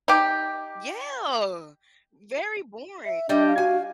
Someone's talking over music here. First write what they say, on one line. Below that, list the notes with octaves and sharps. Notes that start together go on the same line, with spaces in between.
Yeah! Very boring.
D#4 G4
E5
G3 D4 G4 D#5 E5
F5
F#4 G#5